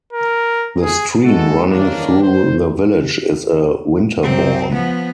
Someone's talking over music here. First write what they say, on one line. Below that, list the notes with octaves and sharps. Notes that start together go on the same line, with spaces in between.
The stream running through the village is a winterbourne.
A#4
G#4
D3 G#3 E4 F#4 A4
D#3 E3 G#3 A#3 C#4 D4
G1 G2 C5
F#2 C4
F3 B3